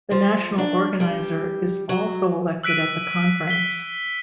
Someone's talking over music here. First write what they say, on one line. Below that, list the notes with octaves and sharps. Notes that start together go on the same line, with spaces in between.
The National Organiser is also elected at the conference.
F3
D4
G3
F#3
E6 F#6 B6 D7 D#7
B6 G7